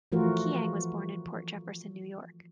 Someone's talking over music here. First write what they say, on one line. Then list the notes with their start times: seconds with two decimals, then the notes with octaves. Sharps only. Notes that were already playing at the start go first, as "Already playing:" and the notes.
Chiang was born in Port Jefferson, New York.
0.12 E3 F3 A3 F4 F#4 A#4